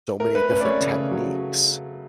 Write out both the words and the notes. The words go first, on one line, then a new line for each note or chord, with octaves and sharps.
so many different techniques
A3 A#4
A3 B4
C#4 B4
D5
A3 C#5
C#3
C#3
F#3